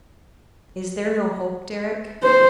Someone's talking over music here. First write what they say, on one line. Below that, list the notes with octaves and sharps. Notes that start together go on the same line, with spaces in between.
"Is there no hope, Deryck?"
C5